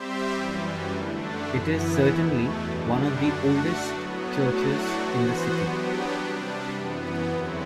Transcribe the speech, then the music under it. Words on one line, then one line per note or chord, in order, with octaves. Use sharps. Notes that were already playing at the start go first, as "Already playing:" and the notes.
It is certainly one of the oldest churches in the city.
Already playing: G3 C4 G4 C5 E5
F#2 E3 G3
D3 A3 D4
F#2 E3 B3 E4
E2 B2 A3
F#2 D3 G3 D4
A3 D4 F#4
A2 F#3 B3
A2 F#3 A3 D4 F#4
E3 B3 F#4 C5
F#3 B3 D4 G4
C3 G3 D4
F#2 E3 B3
E2 D3 F#3 C4 E4